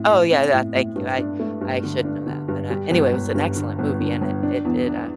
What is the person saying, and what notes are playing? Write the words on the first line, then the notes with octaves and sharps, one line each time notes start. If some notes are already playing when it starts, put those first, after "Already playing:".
Oh, yeah, yeah, thank you, I I should know that, but, uh, anyway, it was an excellent movie, and it it did, uh,
Already playing: A2 C4
A2
C4
A2
A2
G2
D4
A3
G2
D3
D4
D3
G2
G3
G1
G1
G2
D3
G1
D3
G1
D4
E2
D4